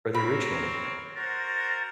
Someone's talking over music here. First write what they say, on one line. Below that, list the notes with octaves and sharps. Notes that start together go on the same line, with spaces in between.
or the original was live?
C4 A#4 C#5 B5
F#4 A#4 C5 A6